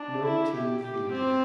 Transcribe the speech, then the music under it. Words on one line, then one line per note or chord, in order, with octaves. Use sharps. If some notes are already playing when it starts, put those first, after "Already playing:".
No team fielded.
Already playing: D4
E4
G4
G4
C4